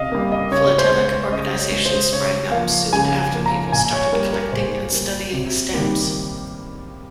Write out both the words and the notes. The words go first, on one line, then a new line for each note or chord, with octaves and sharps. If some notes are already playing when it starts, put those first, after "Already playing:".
Philatelic organisations sprang up soon after people started collecting and studying stamps.
Already playing: C3 D#5 F5
G3 A#3
D#5
C#3 C#5
C5
G#3
C5
C#3 D#5
C#5
G#3
C5
C#3 C#5
F3 A#3 F5
C#3 G#5
F3 A#3
A#5
A#2 G#5
C#5
G3 A#3 A#4
A#4
A#2 C5
G3 A#3
C3
D#3 G3 A#3